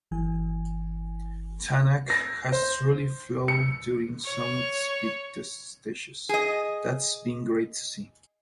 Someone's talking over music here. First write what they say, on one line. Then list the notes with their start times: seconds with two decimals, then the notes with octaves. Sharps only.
Tänak has truly flown during some of the speed test stages, that’s been great to see.
0.11 G1 E3 G#5
2.10 A#6
2.52 C5
3.48 C#7
4.24 C#5
6.29 G#4 D#5